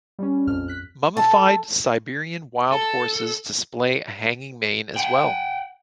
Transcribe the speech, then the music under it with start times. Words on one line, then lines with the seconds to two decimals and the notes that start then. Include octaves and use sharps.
Mummified Siberian wild horses display a hanging mane as well.
0.19 G3 C#4
0.47 A#1 F2 F6
0.68 F#6 B6
1.17 A4
2.72 A4
4.96 F#5 G5